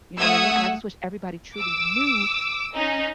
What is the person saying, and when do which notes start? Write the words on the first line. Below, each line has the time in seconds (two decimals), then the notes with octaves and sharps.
You know what I mean? And I just wish everybody truly knew
0.19 A3 F#5 D#6 E6 G#6
1.56 D6 E6
2.76 C#4 D#4